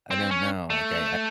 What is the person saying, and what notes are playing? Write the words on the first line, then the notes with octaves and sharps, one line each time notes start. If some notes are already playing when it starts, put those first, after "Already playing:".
I don't know, like, I
C4
C#4
A3